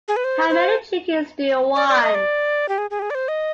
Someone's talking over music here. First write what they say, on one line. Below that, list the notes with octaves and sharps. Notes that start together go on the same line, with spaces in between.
How many chickens do you want?
G#4
B4
C5
C5
D5
D5
D#5
D5
G4
G#4
G#4
G4
G#4
D5
C5
D#5